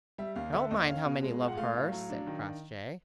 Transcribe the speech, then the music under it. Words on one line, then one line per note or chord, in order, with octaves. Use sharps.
"I don't mind how many love her," said Crossjay.
G3 E5
D#2 F5
D3 E5
D#2 D#5
C#4 F5
B2
G#3
F4
F#5
A3 F5
A2
F#3
D4
D#3